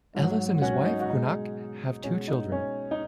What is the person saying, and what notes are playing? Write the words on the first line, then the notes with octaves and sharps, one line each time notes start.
Ellis and his wife, Juanika, have two children.
G#2 F#3
C#4 F#4
D#4
F#4
B2 G#3 D#4
B2 G#3 C#4
D#4
C#4
D#4